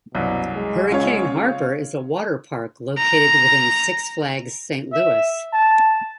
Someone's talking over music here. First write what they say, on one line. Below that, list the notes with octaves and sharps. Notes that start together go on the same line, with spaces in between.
Hurricane Harbor is a water park located within Six Flags Saint Louis.
C2 F#2 B2
G#3
C#3 F4 C#5
A#5
E5
A5